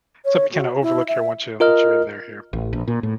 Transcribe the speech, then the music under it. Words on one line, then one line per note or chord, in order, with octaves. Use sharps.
something you kinda overlook here once you once you're in there here.
C#5
F#4
E4
E5
F4 A#4 D#5 F6
A1
A#1
A#2
A2